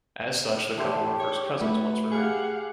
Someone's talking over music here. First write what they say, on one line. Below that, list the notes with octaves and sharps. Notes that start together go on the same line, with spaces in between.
As such, the couple were first cousins once removed.
E2 D4 E4 G4 C5
C#5
A3 E4 F#4 B4
G4 G#4 F5 F#5